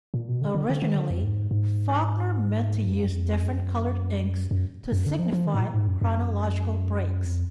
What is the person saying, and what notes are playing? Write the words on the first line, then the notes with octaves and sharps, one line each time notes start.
Originally Faulkner meant to use different colored inks to signify chronological breaks.
A#2
B2
D3
D3
D3
D#3
D3
F2
G#2
G#2
F#2
F2
F#2
F#2
F#2
D3
F3
F3
D#3
G#2
A#2
G#2
F#2
F#2
F2